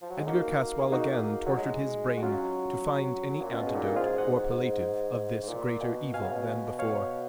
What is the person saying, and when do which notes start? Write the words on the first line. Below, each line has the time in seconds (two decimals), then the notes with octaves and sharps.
Edgar Caswall again tortured his brain to find any antidote or palliative of this greater evil than before.
0.02 F3
0.10 F#3
0.19 G#3
0.27 A#3 D#4 F#4
0.80 G#4
0.92 D#4 F#4
1.46 F#3
1.57 G#3
2.18 F#4
2.23 F#3 C#4 F4
3.41 A#2
3.53 B2 C#4 F4
3.67 G#4
3.75 A#2 D#4 F#4
3.96 G#2 F4 G#4
4.18 G#2 D#5 F#5
5.43 G#2
5.49 A#2
5.81 B2
6.14 B2 F5 G#5
6.23 C#3
6.32 B2
6.79 C#5 F5